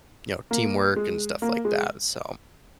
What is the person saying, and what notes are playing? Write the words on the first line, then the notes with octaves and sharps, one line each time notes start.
you know, teamwork and stuff like that, so,
A#3
G#3
A#3
G#3